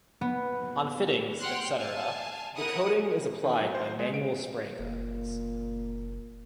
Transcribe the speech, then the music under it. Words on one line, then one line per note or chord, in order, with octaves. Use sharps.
On fittings, etc., the coating is applied by manual spray guns.
B3
F#5 G5 C6 F6 F#6
F5 G#5 A5
E4 A#4 F#5 D#6
D#3
F#3
C5
G#3
D7
F#1 A#2